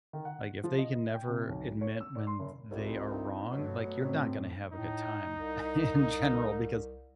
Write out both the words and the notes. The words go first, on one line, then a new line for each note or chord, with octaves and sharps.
like, if they can never admit when th they are wrong, like, you're not gonna have a good time in general because
D#3
F#5
F3
D#5
G5
C3
B1
C#5
E6
D5
C6
F#1
C2 C4 D#4 F4
G2 B2 F#3 A3
A2 C4
A2 D#4
C2